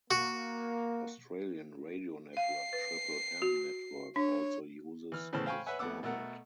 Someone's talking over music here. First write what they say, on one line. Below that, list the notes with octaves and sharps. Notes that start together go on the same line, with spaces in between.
Australian radio network Triple M Network also uses this format.
A#3 F#4
F5 C7
B4
F#4
D4 C#5
E3 F6
A2 C#3 E3 C5 A5 F6
C5 F5 G5 G#5 B5 C#6
B4 C#5 E5 F#5 G#5
F2 A3 B3 F#5 D6 E6
B2 A3 A4 A#4 F#5